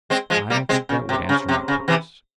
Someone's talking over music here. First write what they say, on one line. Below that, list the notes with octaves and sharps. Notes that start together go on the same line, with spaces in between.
'I don't think that would answer my purpose.
G#3 C4
F3 G#3
G3 A#3
G#3 C4
C#3
C3
C#3
C3
C#3
C3 E3